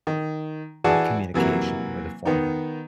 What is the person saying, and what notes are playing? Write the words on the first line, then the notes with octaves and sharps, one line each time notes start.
communication with a former?
D#3
E3 F#4 G#4 D5 F#5 A5
C3 E3 F#3 A#3
D#3 B3 D#4